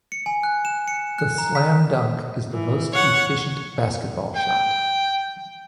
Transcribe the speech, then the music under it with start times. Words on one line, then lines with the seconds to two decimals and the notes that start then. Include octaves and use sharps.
The slam dunk is the most efficient basketball shot.
0.12 C#7
0.26 G#5
0.43 F#6
0.65 E7
0.88 C#7
1.18 F#6
1.38 A#5
1.55 B6
2.52 E3
2.93 C#5 F#5
4.36 G5